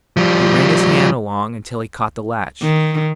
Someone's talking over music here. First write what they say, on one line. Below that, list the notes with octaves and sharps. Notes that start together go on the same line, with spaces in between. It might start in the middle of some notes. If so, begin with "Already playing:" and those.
He ran his hand along until he caught the latch.
F3 G3
D#3